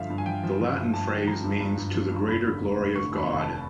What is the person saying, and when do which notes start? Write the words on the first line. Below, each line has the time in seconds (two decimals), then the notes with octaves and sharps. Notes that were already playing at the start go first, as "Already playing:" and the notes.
The Latin phrase means 'To the greater glory of God'.
Already playing: G2 D3 F3 E5 F5
0.10 G2
0.18 G#5
0.26 F3 G5
0.43 F3
0.61 F3
0.78 G2
0.94 G2 A5
1.10 D3
1.27 F3 A#5
1.44 G2
1.60 G2
1.78 G2
1.94 F3
2.11 G2
2.28 F1 B5
2.45 D3
2.62 F1
2.79 F1
2.95 D3 C#6
3.12 D#2
3.18 B5
3.29 F1
3.41 A5